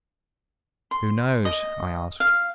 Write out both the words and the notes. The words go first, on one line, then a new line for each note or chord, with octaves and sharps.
"Who knows?" I asked.
C6
D#5
F5